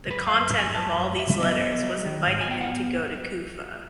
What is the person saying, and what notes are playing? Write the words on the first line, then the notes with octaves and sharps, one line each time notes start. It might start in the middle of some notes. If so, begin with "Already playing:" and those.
The content of all these letters was inviting him to go to Kufa.
F#2 B4
F5
F#2
F#2
G#5
F#2 A5
F#2
F#2 E5
E5
B3 D#5
F#3
F#3
D#3
G#2
G#5
B3 G5
F#5